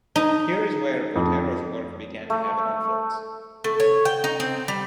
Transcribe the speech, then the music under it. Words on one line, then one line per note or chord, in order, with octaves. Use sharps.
Here is where Botero's work began to have an influence.
D#4
F2
A3
A3
C#5
G5
D#4
C4
G3